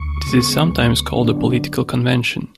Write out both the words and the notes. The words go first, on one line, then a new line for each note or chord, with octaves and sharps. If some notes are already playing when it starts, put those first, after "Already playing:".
This is sometimes called a political convention.
Already playing: D2 C#6
C#3 G#3 B3
D2
D3 F#3 B3 D4